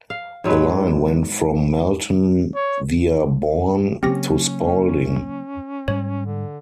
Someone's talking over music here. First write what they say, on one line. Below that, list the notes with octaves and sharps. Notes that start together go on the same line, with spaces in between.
The line went from Melton, via Bourne, to Spalding.
F5
G#2 F#3 G#3 B4
C#5
C#3 F#3 A#3 C4 C#4 G4 A#6
G#2 G3 C#5
D3